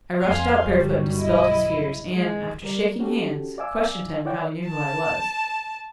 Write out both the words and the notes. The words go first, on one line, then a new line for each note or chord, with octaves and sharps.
I rushed out barefoot and dispelled his fears, and, after shaking hands, questioned him how he knew who I was.
F2 F5 G#5 C6
G1 F#3 G3
B1 E4 D#5
G#3
G3 A#4 D5
C#4 F#4 G4 A4
D5 E5 F5 G#5 D6 E6
E4 C#5 D5 F#5 G5
A5